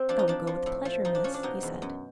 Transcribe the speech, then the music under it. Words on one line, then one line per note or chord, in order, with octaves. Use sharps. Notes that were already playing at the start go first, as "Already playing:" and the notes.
"I will go with pleasure, miss," he said.
Already playing: C4
F3 D4
D#4
F3 D4
F3
A2
F3
F3 D#4
D4
F3 C#4
D4
B2 D#4
E2
F#2